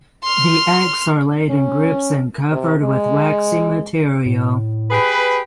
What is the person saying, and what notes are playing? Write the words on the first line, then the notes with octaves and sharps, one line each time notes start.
The eggs are laid in groups and covered with waxy material.
C6 F6
C#4
C3
G#3
A2
G4 G#4 B4